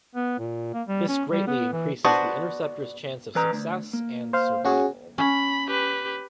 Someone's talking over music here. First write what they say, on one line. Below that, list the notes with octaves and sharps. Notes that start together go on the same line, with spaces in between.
This greatly increases the interceptor's chance of success and survival.
B3
A#2
A#3
G3
C#4
G3
B3
E3
B3 D4 F#4 B4 C5
E3 B4 A#5
D2
A#3
C5 F5
C#4 F#4 G#4
C#4 B5
G4 B4